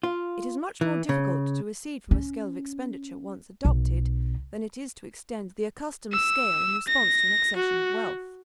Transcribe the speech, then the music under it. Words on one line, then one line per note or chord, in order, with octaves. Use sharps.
It is much more difficult to recede from a scale of expenditure once adopted than it is to extend the accustomed scale in response to an accession of wealth.
F4
E3
C#3
C#4
B1
E6
A#6
F#4